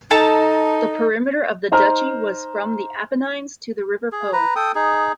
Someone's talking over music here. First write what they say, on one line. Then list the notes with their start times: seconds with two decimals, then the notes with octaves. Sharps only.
The perimeter of the duchy was from the Apennines to the river Po.
0.11 D#4 A4 A5 A#5
1.72 D#4 C5 A#5 F6
4.12 G#4
4.33 B4 A#5
4.56 A4 G5 D#6
4.75 D#4 G#4